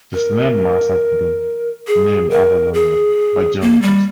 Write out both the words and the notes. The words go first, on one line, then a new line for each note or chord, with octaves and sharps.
This land-mass has been named Avalonia by geologists.
A#4
G#4
A#4
G#4
A#3
G3